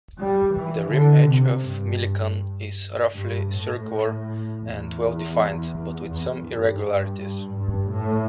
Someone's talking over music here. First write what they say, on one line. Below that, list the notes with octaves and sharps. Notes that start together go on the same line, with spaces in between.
The rim edge of Millikan is roughly circular and well-defined, but with some irregularities.
G3
E3
D3
C3
G2
G2
A2
E2
E2
G2
G2
A2